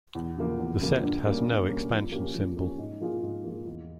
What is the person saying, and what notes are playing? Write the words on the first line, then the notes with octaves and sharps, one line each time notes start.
The set has no expansion symbol.
E2
C#3 F3 A#3
E2
C#3 F3 A#3
G2
G3 A#3 C#4
G2
G3 A#3 C#4
F3
A#3 C#4 G4
F3
A#3 C#4 G4
G#2
F3 A#3 F4 G#4
G#2
F3 A#3 F4 G#4
E2